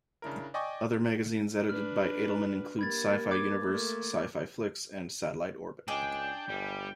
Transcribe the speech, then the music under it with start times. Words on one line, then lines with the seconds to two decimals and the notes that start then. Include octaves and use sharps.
Other magazines edited by Edelman include "Sci-Fi Universe", "Sci-Fi Flix", and "Satellite Orbit".
0.22 C#3 D4 E4 A#4
0.54 D5 D#5 G5 G#5 C#6 D6
1.69 D4 B4 F6
2.79 A#3 G4 B5 G#6 A6
3.31 D6 G#6
3.65 A3 A#3
5.88 C#2 D4 G#4 D#5 G5 D6
6.49 G1 G3